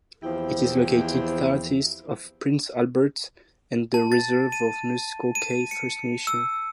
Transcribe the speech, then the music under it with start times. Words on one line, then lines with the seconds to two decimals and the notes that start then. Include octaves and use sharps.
It is located southeast of Prince Albert and the reserve of Muskoday First Nation.
0.23 E2 F3 C4 E4 G4
3.94 A5
4.12 A6
4.52 D#7
5.35 D#7
5.71 C#7
6.27 E6